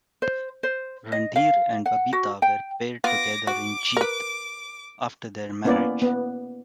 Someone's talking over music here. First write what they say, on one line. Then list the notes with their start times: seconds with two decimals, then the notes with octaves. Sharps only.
Randhir and Babita were paired together in Jeet, after their marriage.
0.22 C5
0.63 C5
1.12 D#5
1.36 F5
1.86 F#5
2.13 F#4
2.42 G5
3.04 B3 F4 D6 A#6
3.47 F#4 D6
3.97 A#4 B4
5.65 A#3 B3 C#4 E4 D5
6.02 B3